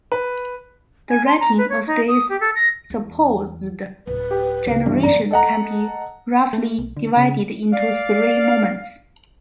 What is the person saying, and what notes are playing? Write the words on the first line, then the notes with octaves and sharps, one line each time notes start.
The writing of this supposed generation can be roughly divided into three moments.
B4
G#5
C6
A#5
B4
C#5
D#4
D#6
G4
A4
A#6
E2
D1 B4
G4
C#2 C4
G2 D#3 E3
F#1 A#2 D5 A#5
A4 D#5 F#5 A#5
A3
B1
D3
C#3
D5 F5